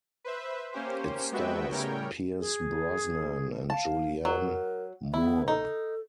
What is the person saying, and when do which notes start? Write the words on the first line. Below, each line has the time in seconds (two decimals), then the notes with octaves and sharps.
It stars Pierce Brosnan and Julianne Moore.
0.24 B4 C5 E5
0.73 A#3 C#4 G4 C5
1.32 G#3 B3 F#4 B4 E5 G5
1.72 A2 C#3 G3 A#4 C#5 G5
2.38 G#4
3.70 F5 A5
4.25 F#3 A#4
5.14 B3 E4
5.48 D#4 A4